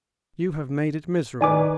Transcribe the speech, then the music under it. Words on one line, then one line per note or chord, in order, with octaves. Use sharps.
You have made it miserable.
D#3 B4 D5 G#5 D6